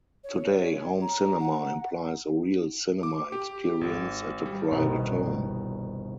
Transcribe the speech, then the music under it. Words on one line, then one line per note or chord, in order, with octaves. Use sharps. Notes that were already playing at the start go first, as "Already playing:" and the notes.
Today, home cinema implies a real "cinema experience" at a private home.
C#5
A#5
F#5
D6
G4
G#1
G3
G1 C2 B2 D#3 A#5